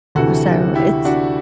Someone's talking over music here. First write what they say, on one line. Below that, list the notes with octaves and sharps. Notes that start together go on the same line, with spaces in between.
So it's
D2 C3 E3 F#4 A4
E4 G4
D4 F#4